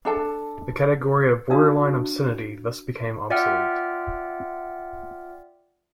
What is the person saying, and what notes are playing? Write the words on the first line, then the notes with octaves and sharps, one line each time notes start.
The category of "borderline obscenity" thus became obsolete.
D4 A4 A5
D4 F#4 D5 F5 A5 D#6
F4 D5 E5 F#5 G5 F6